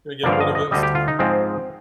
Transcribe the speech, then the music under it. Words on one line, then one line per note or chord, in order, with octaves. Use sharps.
Gonna get rid of it soon.
G2 D3 F3 A#3 D5
F5
D#5
D#5
D2 D3 G3 D#5
G4
F4
D#4
G#2 F3 G#3 C4